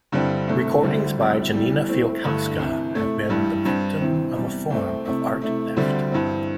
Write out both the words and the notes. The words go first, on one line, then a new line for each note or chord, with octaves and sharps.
Recordings by Janina Fialkowska have been the victim of a form of art theft.
G2 D3 G3 C4 E4
C2 C3 A3 E4
D2 D3 G3 C4 E4
D2 C3 G3 E4
E2 E3 G3 E4
A2 A3 C4 E4
G2 D3 A3 E4
C2 C3 E3
C3 A3 E4
G2 E3 G3 E4
G2 G3 C4
C3 E3 C4 E4
E2 C3 G3
C2 C3 A3 C4
C3 A3 E4
C3 A3 E4
D2 D3 G3 C4
G2 E3 C4 E4